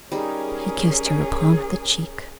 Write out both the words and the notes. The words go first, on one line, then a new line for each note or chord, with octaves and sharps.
He kissed her upon the cheek.
G3 C#4 D#4 G#4 A#4